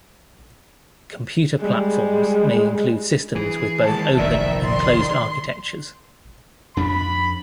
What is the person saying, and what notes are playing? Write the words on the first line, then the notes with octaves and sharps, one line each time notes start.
Computer platforms may include systems with both open and closed architectures.
G3 G#3
E3 G#4
D#3 G#3 A5
F1 A#1 B2 D#3 D5 E5
C6
F2 D4 B5